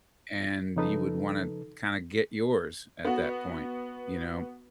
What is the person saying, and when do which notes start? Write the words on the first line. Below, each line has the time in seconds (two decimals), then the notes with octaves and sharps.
and you would wanna, kinda, get yours at that point, you know?
0.76 C#3 F3 D#4 A4 B4
3.05 B3 F#4